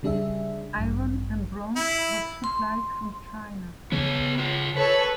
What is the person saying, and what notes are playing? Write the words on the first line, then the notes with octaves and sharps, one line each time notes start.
Iron and bronze was supplied from China.
C#3 G3 D4 G#4 E5
A1 G2
E4
C6
C#3 B3 C#5
F4 C#5
A4 B4 C#5